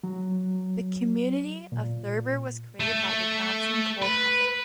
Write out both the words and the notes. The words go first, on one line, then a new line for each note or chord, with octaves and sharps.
The community of Thurber was created by the Johnson Coal Company.
F#3
A#2
A3
B4